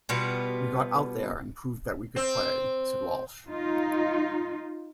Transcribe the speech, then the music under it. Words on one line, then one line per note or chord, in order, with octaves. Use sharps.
"We got out there and proved that we could play," said Walsh.
B2 G3 B3 F4
C4
D#4 F4